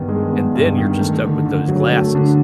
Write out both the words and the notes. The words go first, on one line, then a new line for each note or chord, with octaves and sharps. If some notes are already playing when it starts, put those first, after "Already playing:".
And then you're just stuck with those glasses
Already playing: G2 D#3 B3
G#3
B3
G2
D#3
A3
D3
D3
F#3
A3
D3